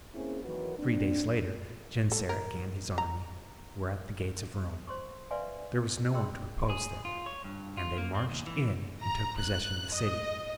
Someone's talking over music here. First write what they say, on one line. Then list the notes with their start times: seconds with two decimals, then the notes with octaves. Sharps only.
Three days later Genseric and his army were at the gates of Rome. There was no one to oppose them, and they marched in and took possession of the city.
0.14 A#3 C4 C#4 E4 G#4
0.44 D#3 E3 F#3 F#4 A#4 B4
0.78 F#3 A#3 C4 D4
2.12 A4
2.29 A#4
2.98 A#5
4.87 C5 C6 C#6
5.31 B4 D5 E5 F5 G#5 C6
6.14 G#4 G5 B5 C6 E6
6.70 G#4
7.05 F4
7.26 C#5
7.44 G2
7.77 F4
7.98 A#3
8.15 C4
8.31 D#2
8.47 E3
9.02 A#5
9.39 F#6
9.93 D#5